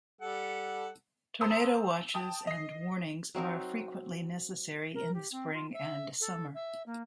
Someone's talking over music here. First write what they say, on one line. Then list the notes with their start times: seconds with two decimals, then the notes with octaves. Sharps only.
Tornado watches and warnings are frequently necessary in the spring and summer.
0.21 G3 A4 F#5
1.41 C5 A5 A#5 C6 D#6 E6
2.14 G5 A5 D#6
2.47 D#5 C7
3.35 F#3 C4 D#4 A#4
4.94 A#4
5.14 G4
5.31 C4
5.53 F4
5.73 E5
6.21 A4
6.54 E5
6.86 A#3